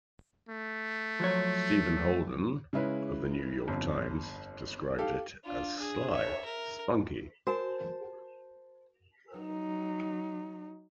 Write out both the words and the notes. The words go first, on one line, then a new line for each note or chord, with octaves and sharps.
Stephen Holden of "The New York Times" described it as "sly, spunky".
A3
F3 F#3 C#5
C#3 G#3 C#4 E4 B4
G1 F2
G4 A4 F5
D4 F4
G#4
C#5 E5
A#4
F#4 A#4 C5 G#5 A5
F#3 D#4